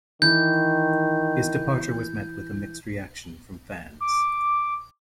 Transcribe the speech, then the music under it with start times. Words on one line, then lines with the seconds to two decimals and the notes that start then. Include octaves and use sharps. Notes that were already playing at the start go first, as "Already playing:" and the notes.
His departure was met with a mixed reaction from fans.
0.22 D#3 E3 G6
4.01 D6